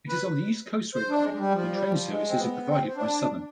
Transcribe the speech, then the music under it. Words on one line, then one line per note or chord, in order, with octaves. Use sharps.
It is on the East Coastway Line, and train services are provided by Southern.
B4
C5
D4
G#3
G#3
G3
F3
G3
F3
G#3
C4
B3
C4
C4
D4